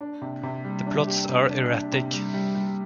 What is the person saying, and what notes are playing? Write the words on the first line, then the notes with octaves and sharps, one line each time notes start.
The plots are erratic.
D4
C3
C3
G3
D4
G4
C3
D4
D4
C3
G3
G3
G3